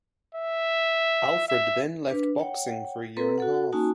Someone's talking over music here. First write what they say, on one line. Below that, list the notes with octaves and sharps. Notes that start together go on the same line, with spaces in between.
Alfred then left boxing for a year and a half.
E5
E5
D4 B4
C#5 F#5 G5
C4 A4 B4 A#5
F#4 A4 F#5
A#3 C#4 D#4 F#4 G#5 A5